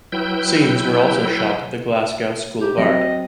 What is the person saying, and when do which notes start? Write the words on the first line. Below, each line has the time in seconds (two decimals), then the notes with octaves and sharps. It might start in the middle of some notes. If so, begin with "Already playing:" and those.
Scenes were also shot at the Glasgow School of Art.
0.12 F#3 E4 B4 G5 E6 G6
2.61 G4
2.78 F#3 C4 D#5